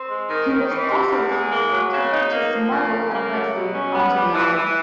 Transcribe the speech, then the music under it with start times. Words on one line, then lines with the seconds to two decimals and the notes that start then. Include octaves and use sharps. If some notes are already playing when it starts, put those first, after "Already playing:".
He was also accused of attempting to smuggle a breadfruit on to the island.
Already playing: C4
0.09 G#3
0.30 D#3
0.50 D#3
0.71 E3
0.91 C3
1.10 E2
1.31 G#3
1.51 A#3
1.72 F#3
1.92 C#3
2.12 D#4
2.31 A#3
2.52 F3
2.72 C#3
2.92 C#3
3.12 A#3
3.32 F#3
3.53 B2
3.73 C#4
3.94 B3
4.14 G3
4.34 E3
4.54 E3